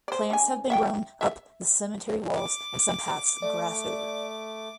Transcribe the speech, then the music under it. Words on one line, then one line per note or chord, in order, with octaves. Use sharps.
Plants have been grown up the cemetery walls and some paths grassed over.
C5 D5
D3 G#5
E5 F#5 G5
E5
D6
A3 D5